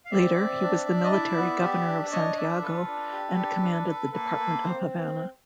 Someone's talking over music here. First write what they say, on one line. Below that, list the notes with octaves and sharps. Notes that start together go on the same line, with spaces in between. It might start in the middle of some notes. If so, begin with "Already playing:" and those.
Later he was the military governor of Santiago and commanded the Department of Havana.
F5
C4 D5 E5
C4
D4
D4
D#5
E4 D5 E5
B3
G4
D4
D4 C#5 D#5
D4 D5 E5
F4 A4 B4
D4
G4
D4
D4
A4
A#3 A4 B4
A#3
C4 C5